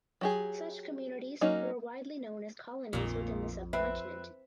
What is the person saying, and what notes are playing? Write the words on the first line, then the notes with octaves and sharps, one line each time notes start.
Such communities are widely known as "colonies" within the subcontinent.
F#3 G4 G#4
F#3 A#3 C#4 D#4
A#1 F2 A#2 D#3
C4 B4 E5